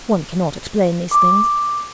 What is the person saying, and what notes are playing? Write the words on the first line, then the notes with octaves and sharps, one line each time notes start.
One cannot explain these things.
D6